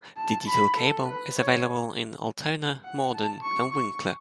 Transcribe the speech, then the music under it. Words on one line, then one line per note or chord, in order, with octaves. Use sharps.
Digital cable is available in Altona, Morden, and Winkler.
A5
B5
A4
B4
C#5
F#5
A5
C#6
C#6